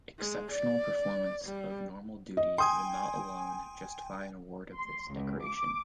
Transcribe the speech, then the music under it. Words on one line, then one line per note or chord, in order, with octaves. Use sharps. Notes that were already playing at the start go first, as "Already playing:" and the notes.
Exceptional performance of normal duty will not alone justify an award of this decoration.
G#3
D5
G3
D#5
G5 G#5 C6 D#6
C6
C#2
D6